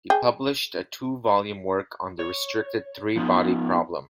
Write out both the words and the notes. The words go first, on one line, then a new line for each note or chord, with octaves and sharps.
He published a two-volume work on the restricted three-body problem.
G#4 G5
C#5
F3 B3 C#4 D#4 F4